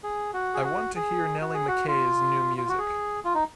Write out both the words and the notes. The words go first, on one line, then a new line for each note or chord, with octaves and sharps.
I want to hear Nellie Mckay's new music.
G#4
F#4
G#4
F#4
G#4
F#4
G#4
F#4
F4
F4
F#4
G#4
F4
D#4